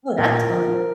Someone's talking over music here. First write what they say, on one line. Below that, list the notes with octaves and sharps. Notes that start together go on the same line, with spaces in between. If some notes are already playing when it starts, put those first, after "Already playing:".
Oh, that's fun.
A#2 A#4
F3